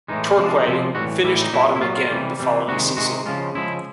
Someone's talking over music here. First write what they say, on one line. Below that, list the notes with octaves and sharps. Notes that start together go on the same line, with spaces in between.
Torquay finished bottom again the following season.
A2 E3 G#3 D#4
C3 F3 G#3
D4
D#4
C3 F3 G#3 E4
A2 E3 G3 F#4
A2 E3 G3 E4
D#4
A#2 F#3 E4
E4
A#2 F#3 F4
F4
C3 E3 G3
C3 E3 G3
C3 D#3 G#3 F#4
C3 D#3 G#3 F#4
C#3 F3 G#3 F4
C#3 F3 G#3 E4